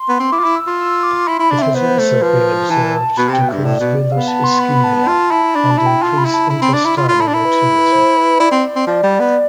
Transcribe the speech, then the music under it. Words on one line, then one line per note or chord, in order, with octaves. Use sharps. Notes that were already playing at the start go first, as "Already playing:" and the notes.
It has also been observed to cause villus ischemia, and increase intestinal motility.
Already playing: C6
B3
C4
E4 D6
F4
E4
E6
F4
E6
D6
E4 C6
E4 B5
D4
C4 E5
B3 C5
A3
F3 B4
E3 A5
B2 B5
C3 G5
B2
G2 E5
A2 D5
B2
B3 F5
A5
C6
B5
A5
F4
E4
D4 B5
A5
E4
G5
F4 A5
B5
E4
A5
E4 B5
C4
D4 D6
E4
F4 B5
F4
E4 A5
D4
E4
B4
C5
B4
E4 D5
C4
C4
F3 D5
G3
B3